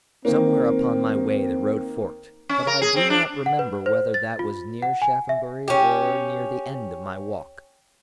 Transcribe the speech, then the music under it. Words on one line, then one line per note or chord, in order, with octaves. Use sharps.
Somewhere upon my way the road forked, but I do not remember whether that was near Shaphambury or near the end of my walk.
D#3 A#3 C4
C#4
A#4
G#4
C4
D4
F#5
B4
C5
A6
F4
F#5
G#5
E5
C#4 G4